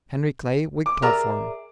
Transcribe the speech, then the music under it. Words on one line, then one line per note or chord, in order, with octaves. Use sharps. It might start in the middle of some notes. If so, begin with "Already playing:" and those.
Henry Clay, Whig platform.
D6
G#4 A#4 D5 E5 A#5